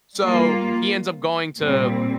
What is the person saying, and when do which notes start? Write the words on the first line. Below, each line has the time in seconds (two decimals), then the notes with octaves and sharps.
So, he ends up going to
0.18 G3 A#3 F4
1.60 A#2 G3 C4